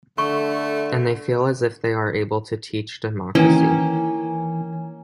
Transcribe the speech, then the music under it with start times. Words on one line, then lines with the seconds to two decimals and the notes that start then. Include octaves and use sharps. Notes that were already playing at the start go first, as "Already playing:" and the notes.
And they feel as if they are able to teach democracy.
0.18 D3 A3 C#6
3.35 D#3 E3 A#3 C#4 G#5